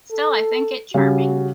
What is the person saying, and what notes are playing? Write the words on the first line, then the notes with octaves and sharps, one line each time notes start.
Still I think it charming.
A4
C#3 G3 F#4